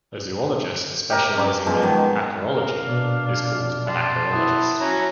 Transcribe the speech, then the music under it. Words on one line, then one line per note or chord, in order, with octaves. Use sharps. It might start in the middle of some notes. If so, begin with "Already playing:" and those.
A zoologist specializing in acarology is called an acarologist.
G4 A#4
F#2 D6
B2 F3 G#3
D#3
A#4 F5
B2 D4
G3 A5 C6
B3 E4
F#3 C#4 A#5